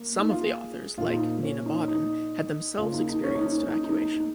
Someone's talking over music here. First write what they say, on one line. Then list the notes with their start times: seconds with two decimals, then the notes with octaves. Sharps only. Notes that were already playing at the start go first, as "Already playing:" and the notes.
Some of the authors, like Nina Bawden, had themselves experienced evacuation.
Already playing: A#3
0.19 D#4
0.30 F4
0.41 G#4
0.98 A#2 F3 A#3 F4
1.13 D#4
1.43 C#4
1.66 D#4
1.88 D#4
2.78 C#3 A#3 F4
2.94 D#4
3.09 D#4
3.24 C#4
3.35 D#4
3.46 D#4
3.57 C#4
3.69 D#4
3.84 D#4
3.99 D#4
4.14 D#4